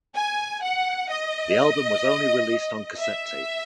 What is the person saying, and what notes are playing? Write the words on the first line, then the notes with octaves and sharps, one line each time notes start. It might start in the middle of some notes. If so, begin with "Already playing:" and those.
The album was only released on cassette tape.
G#5
F#5
D#5
E5